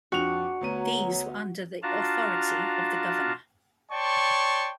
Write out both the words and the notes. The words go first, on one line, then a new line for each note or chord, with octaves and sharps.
These were under the authority of the governor.
F2 D4 F#4 F7
D2 B3 C#5 A#5 D#7
D4 F4 F#4 F5 A5 A#5
C#5 D5 G5 A5 C6 C#6